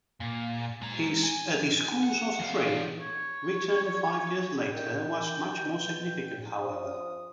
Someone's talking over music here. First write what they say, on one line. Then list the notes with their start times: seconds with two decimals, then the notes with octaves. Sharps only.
His "A Discourse of Trade", written five years later, was much more significant, however.
0.20 A#2
0.81 G#3 A#5
1.23 G#5
2.03 F#5
2.39 E3 F5
3.00 C#5
4.73 D#3 G5
5.65 B2
6.61 F3 D#6